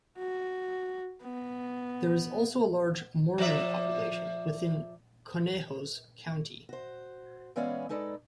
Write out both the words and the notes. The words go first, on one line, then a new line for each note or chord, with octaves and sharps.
There is also a large Mormon population within Conejos County.
F#4
B3
F3 D5 E5
F#4 C5
E3 G#3 B3 C#4 D5 F5
G#3 D#4 A4 B4 D5